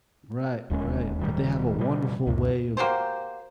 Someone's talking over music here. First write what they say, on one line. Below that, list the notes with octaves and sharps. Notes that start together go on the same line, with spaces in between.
Right, right. But they have a wonderful way of
D1 D#2 G#3 C#4
D#1 D#3 G3
B2 G3
C#2 F#2 C3
A#3 F#4 G4 C5